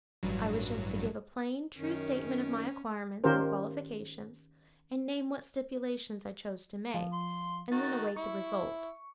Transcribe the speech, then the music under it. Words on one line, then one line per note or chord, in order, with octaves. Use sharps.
I was just to give a plain, true statement of my acquirements and qualifications, and name what stipulations I chose to make, and then await the result.
A1 G2 F#3
F#2 D#3 C#4
D#3 C#4 F4 G4 A#4 C5
F3
C6
D#3 F#4 A6
E4 C#6